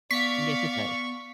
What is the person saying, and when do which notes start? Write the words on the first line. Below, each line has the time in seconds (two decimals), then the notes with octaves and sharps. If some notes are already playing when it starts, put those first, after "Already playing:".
Yes, it does.
0.11 B3 D5 F5 C#6 B6